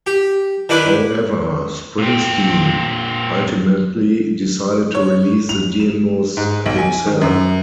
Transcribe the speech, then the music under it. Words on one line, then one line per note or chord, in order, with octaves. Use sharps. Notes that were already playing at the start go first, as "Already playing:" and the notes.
However, Springsteen ultimately decided to release the demos himself.
G4
D#3 D4 E4 B4 D6
A#2 C4
C#5
F7
E7
G#2
B1
G#5
D#3
F#2